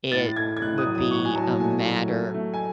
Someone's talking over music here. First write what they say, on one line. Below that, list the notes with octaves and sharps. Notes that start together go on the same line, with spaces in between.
it would be a matter
A2 A6
A3 G#6
G#6
A2 F#6
D#6
F#3
D#6
A2 C#6
G#5
F#3 A5
A3 G#5
F#3
A3
A3
G#5